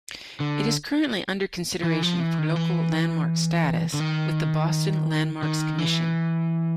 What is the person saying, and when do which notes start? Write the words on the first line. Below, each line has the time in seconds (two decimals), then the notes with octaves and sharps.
It is currently under consideration for local landmark status with the Boston Landmarks Commission.
0.40 D3
1.83 E3
2.02 F3
2.20 E3
2.38 D#3
2.56 E3
3.94 D3
4.00 D#3
5.43 D#3
5.78 E3